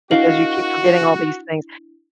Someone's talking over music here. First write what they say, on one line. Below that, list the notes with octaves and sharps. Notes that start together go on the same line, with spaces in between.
Because you keep forgetting all these things.
D4 E4 F#4 A#4 D#5 F5 F#7